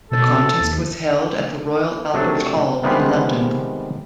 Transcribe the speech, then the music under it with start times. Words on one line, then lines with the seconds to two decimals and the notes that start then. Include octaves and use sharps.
The contest was held at the Royal Albert Hall in London.
0.11 B2 A4
0.60 D#2
2.14 C3 F#3 A3 D4 A4
2.84 C3 D#3 F3 G3 G#3 B3